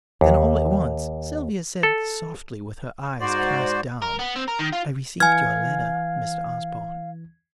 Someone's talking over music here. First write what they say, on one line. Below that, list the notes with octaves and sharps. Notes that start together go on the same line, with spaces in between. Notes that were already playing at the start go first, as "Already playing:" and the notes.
Then all at once Sylvia said softly, with her eyes cast down, "I received your letter, Mr. Osborne."
D#2
A4
G#2 F#4 C5 D5
A#4
B3
C4
A#4
D#3
F4
E3 F5 G#5 F6 G#6